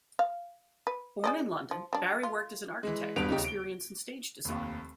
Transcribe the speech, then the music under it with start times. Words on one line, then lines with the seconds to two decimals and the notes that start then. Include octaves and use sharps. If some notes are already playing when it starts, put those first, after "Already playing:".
Born in London, Barry worked as an architect with experience in stage design.
0.19 F5
0.87 B4
1.24 G#4 D5 D#5
1.71 F3
1.93 G3 D4
2.23 F4
2.83 E3 G#3
3.16 E1 G2 B3 B4 D7 F7
3.29 D#1 C#3 D#4 G4
3.44 D7 G7
4.45 F1 D#2